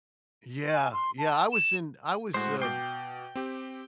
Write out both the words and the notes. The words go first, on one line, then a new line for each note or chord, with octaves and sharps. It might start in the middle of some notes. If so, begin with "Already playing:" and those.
Yeah, yeah, I was in I was, um,
G#5
C6
A5
E7
A2 G#3 F#4 C5
B2 G5 D6 C7
C4 G4